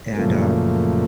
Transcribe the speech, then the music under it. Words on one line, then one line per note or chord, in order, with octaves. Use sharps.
and, uh,
F#2 A#2 C#3 F3 A3 A#3